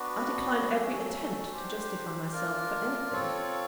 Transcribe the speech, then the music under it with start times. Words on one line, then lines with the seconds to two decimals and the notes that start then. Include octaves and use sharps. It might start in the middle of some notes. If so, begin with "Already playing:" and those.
I decline every attempt to justify myself for anything.
Already playing: B3 D4 F#4 B4
0.72 F#3 A3 C#4
1.52 D4 G4 C5
2.32 D4 F4 A#4
3.13 C4 F4 A4 C#5